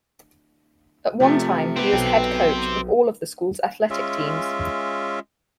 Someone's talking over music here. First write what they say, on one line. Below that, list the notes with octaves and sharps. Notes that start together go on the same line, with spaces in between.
At one time, he was head coach of all of the school's athletic teams.
C3 F3 A3
B3 C4 G4
B1 A4 G5
G#3 C#4 F4 E5